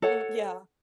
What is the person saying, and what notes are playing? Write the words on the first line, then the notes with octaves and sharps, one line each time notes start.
Mm, yeah.
A4 C#5 F#5